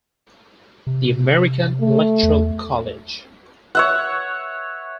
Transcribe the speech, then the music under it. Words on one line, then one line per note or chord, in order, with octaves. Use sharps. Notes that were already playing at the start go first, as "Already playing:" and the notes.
"The American Electoral College".
C3
A3
E2
C#5 E5 F#5